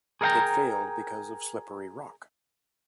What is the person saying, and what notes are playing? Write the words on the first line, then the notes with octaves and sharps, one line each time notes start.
It failed because of slippery rock.
G#4 A#4 D#5 F5 G5 A#5